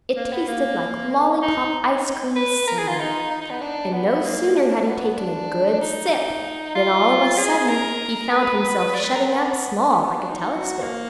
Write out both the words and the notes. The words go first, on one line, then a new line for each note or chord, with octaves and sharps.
It tasted like lollypop ice cream soda, and no sooner had he taken a good sip than all of a sudden he found himself shutting up small, like a telescope.
A#3
B3
A#3
D#4
B4
A#4
G#4
F4
D#4
D#4
D#4
B3
D4
B3
A#3
D4
B3
D4
D#4
F4
G#4
A#4
B4
D5
B4
A#4
B3
B3
D4
D#4
D#4
F#4
A#3